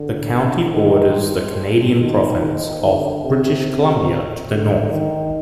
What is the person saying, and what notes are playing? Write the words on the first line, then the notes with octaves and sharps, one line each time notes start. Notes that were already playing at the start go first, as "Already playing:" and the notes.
The county borders the Canadian province of British Columbia to the north.
Already playing: D3
D#3
D#3
D#3
D3
C3
C3
D3
D#3